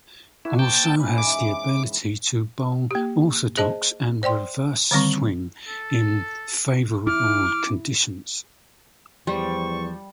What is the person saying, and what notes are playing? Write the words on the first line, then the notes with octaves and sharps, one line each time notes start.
Also has the ability to bowl orthodox and reverse swing in favourable conditions.
E4 F#5 C#6 D6
A#3 C5 G5 A5
D#5 G#5 B5
G#2 C#3 E3 D6
A#3 G4
G#4 C5 D#5 A5
C5 D5 G5 C6
D3 D#3 G3 C4 C#6
A4
E4 D6 F6
E2 F3 G3 C5 D5 C#6